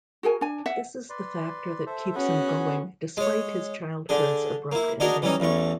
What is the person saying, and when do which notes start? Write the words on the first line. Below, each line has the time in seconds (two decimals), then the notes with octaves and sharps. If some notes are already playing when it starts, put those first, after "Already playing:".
This is the factor that keeps him going despite his childhood's abrupt ending.
0.23 F#4 G#4 A#4 G#5
0.41 D4 G#5
0.66 E5 F#5
1.10 B4 D5 C6
1.86 A4 C5 E5
2.15 B3 C#4 F#4 G#4 B4
3.17 G#3 C#5
4.09 D3 D4 G#4
4.72 A#3 E4
5.00 D4 D#4 F#4 G#4 A#4
5.22 E3 G3 C#4 D#4
5.40 A1 E2 E3 C#6